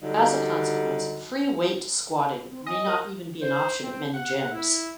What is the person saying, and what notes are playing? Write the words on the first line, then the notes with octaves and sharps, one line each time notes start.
As a consequence, free-weight squatting may not even be an option at many gyms.
D3 F#3 G3 D#4
C4
D#5 G#5
A#4
C5
C4
F#5
E4